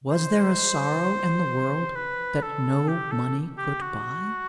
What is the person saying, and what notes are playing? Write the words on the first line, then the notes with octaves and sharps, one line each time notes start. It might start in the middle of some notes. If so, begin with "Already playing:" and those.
Was there a sorrow in the world that no money could buy?
C5
B4
A4
G4
A4
G4
F#4